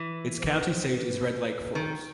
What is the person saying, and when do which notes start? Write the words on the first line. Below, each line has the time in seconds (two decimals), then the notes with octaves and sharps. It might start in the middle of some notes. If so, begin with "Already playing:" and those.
Its county seat is Red Lake Falls.
Already playing: E3
0.39 C5
0.44 B4
0.66 C5
0.93 B4
1.35 B4
1.75 D#3